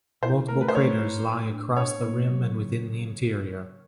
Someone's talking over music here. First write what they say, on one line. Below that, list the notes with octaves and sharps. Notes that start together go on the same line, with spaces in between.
Multiple craters lie across the rim and within the interior.
E4 C5
A3 A#4
B4
C5
A3 C#5
E4
A2
D4
D4 C#5
A#3
F#3
C#3